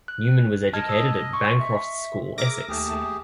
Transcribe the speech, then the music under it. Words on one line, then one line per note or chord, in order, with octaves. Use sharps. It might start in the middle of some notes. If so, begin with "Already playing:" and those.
Newman was educated at Bancroft's School, Essex.
F#6
D#5 A5 F6 G#6
D#6 E6
C6 C#6
E5
G#4 A#4 E5 D6 A#6
D#2 A3 G4 G#4 A5